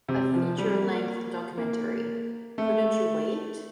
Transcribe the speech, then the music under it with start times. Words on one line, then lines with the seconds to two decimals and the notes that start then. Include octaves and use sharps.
A feature-length documentary, Couldn't You Wait?
0.09 C3
0.34 F3
0.58 G3
0.83 A#3
1.58 A#3
2.58 A3